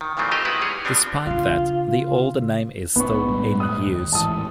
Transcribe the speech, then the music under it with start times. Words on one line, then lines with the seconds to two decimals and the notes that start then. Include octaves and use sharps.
Despite that, the older name is still in use.
0.01 D#3
0.17 A#2 D#3 E3 F#3 A3 C4
0.31 A3 F4 G4 A#4 C5 D#5
0.45 D#3 G#3 B3 E4 F#4 B4
0.61 G3 G#4 C#5
0.85 F3 G3 B3 C4 D4
1.27 C#3 D4 F4
2.96 B1 B3 D4 C#6
3.29 A2 G3 G#3
3.60 D#6 F#6
3.86 D#2
4.12 A1 G#2 E3 A5 D#6